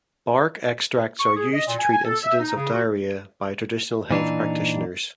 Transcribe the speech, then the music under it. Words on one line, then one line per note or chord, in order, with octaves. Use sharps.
Bark extracts are used to treat incidents of diarrhea by traditional health practitioners.
C#6
G#4
D#5
A#2
G#5
G#5
A4
E5
D#4
C#3
F#4
A#2 E3 D4 D#4